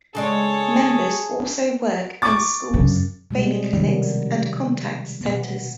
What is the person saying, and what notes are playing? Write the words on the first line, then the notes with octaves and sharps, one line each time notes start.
Members also work in schools, baby clinics and contact centres.
C#3 G#3 G#4 A4 C#5 D5
C#6 D6 A6
F#2 C#3
B2 G3 G#3 C4
C3 D#3 F3 G3 B3 C#4
B2 B3